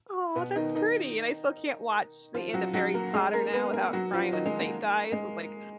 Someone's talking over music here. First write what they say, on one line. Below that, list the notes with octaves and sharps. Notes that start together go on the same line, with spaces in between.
"Aw, that's pretty." And I still can't watch the end of Harry Potter now without crying when Snape dies, it's like,
B2 B3
D#3 D#4
D#3 D#4
F3 F4
F#3 F#4
F#3 F#4
A#3 A#4
G#3 G#4
A#3 A#4
B3 B4
A#3 A#4
F#3 F#4
F3 F4
D#3 D#4
G#3
A#3
G#3